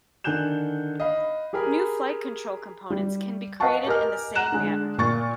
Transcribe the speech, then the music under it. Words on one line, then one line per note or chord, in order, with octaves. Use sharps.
New flight control components can be created in the same manner.
D3 D#3 G#5 F#6 G6 E7
D#5 F5 B5
G4 G#4 A#4 G#5 B5
G3
B4 D#5 F5 F#5 A5 C#6
G4 A#4 D#5 G#5 F6
F#5 A#5 F#6 E7
D3 G#3
A#2 C#6 A6